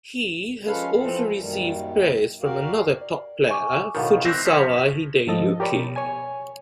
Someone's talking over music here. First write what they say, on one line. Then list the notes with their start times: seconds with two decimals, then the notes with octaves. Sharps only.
He has also received praise from another top player, Fujisawa Hideyuki.
0.67 F3 G#3 C#4 A4 B4 F5
0.99 E3 F3 A3 C4 A4
1.38 F#2 A#2 D#3 G3
2.42 F#4 G4 A#4 D5 F5
3.01 D5
3.49 G#5 C#6 D6
3.95 B1 A2 D#3 A#4 F5 F#5
4.25 E3 C4 E5 F#6 G6 A#6
4.46 F3 C#4 B6
5.27 G#2 F3 A4 D#5
5.60 G4 A#4 C#5 D5 B5
5.72 B2
5.96 C#5 G#5